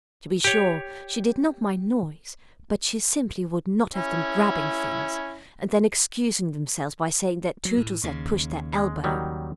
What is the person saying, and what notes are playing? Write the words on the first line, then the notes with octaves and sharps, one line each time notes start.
To be sure, she did not mind noise, but she simply would not have them grabbing things, and then excusing themselves by saying that Tootles had pushed their elbow.
G4 C#5
C#4 E4
F#3
A2
D#2 C#3
G#3
D#3 F#3 G3